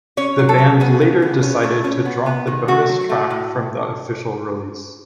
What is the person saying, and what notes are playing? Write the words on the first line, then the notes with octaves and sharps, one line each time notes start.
The band later decided to drop the bonus track from the official release.
C#4 C#5
F#3
A4
C#3
B3 G#4
C#3
B3
C#4
A3
C#4
B3
B3
D#3
A3 F#4
F#3
A3
A2